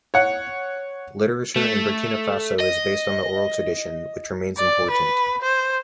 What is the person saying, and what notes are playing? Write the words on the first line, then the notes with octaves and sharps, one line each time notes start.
Literature in Burkina Faso is based on the oral tradition, which remains important.
C#5 F#5
A3
D#5
D5
B4
C5